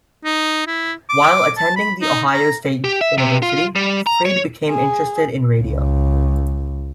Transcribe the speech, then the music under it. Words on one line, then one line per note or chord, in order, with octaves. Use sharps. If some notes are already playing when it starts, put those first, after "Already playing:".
While attending the Ohio State University, Freed became interested in radio.
D#4
E4
D6
A5
B5
D#4
A#5
G4
E5
C3
F4
G3
A#5
C#5
G#4
C#2